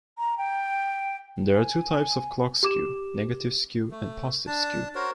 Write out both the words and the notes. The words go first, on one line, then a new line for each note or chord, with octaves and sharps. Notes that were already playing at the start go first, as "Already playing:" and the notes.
There are two types of clock skew: negative skew and positive skew.
A#5
G5
G#5
G4 D6 E7
A3
D4 A5
F#4 A#4 C5 C#5